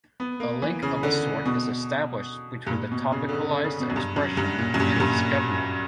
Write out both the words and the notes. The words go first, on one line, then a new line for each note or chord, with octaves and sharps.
A link of a sort is established between the topicalized expression and its governor.
B3
A#3
E3
C#3
D3
B2
G2
A#2
B2
C#3
D3
C#3
D3
C#3
B2
F#2
G2
F#2
G2
A#2
F#2
G2
A#2
G2